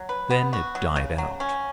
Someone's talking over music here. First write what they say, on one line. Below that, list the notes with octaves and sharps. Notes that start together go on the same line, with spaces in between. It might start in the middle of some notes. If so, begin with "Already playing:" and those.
Then it died out.
Already playing: F#3
B4
B3
F#4
F#3
C#3
F#3
C#4